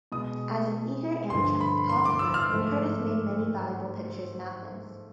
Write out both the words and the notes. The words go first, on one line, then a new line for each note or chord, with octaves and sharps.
As an eager amateur photographer, Curtis made many valuable pictures in Athens.
B2 G#3 D#6
G2 D3 F3 C6
B5
C6
D6
E6
F6
G#2 F3 A3